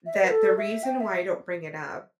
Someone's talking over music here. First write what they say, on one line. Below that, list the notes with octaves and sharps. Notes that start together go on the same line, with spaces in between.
that the reason why I don't bring it up
E5
D5
B4
A4
E5
G5
E5